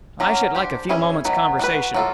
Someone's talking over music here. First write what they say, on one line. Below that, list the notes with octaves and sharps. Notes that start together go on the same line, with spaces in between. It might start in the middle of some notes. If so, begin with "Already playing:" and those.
"I should like a few moments' conversation."
F#3 A#3 C#4
D4 G4 C5
C#4 E4 G#4 C#5
D#3 F#3 B3
D4 F#4 B4
F#3 A#3 D4 F4 A4